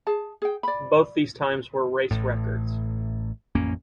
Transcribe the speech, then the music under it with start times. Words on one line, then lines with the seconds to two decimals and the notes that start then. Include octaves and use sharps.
Both these times were race records.
0.07 G#4 A5
0.42 G#4 G5
0.63 D5 B5
2.11 A1 A2
3.55 A1 F2 A#3 C#4